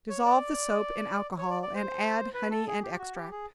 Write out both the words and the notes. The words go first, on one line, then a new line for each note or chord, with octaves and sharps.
Dissolve the soap in alcohol and add honey and extract.
C#5
D5
C#5
D5
D5
C5
B4
A4
G#4
G4
F#4
G4
G#4